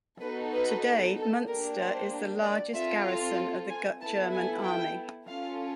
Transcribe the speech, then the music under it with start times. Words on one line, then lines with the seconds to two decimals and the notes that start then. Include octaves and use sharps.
Today, Munster is the largest garrison of the German Army.
0.21 B3 D#4 F#4 A4 B4
0.53 B4
1.16 A4
1.48 A#3 D4 G4 A#4
1.80 C5
2.43 D5
2.74 C4 F4 A4 E5
3.06 F5
3.69 G#5
4.01 B3 E4 A4 A5
4.33 G#5
4.64 G5
5.28 C#4 F4 A4 F5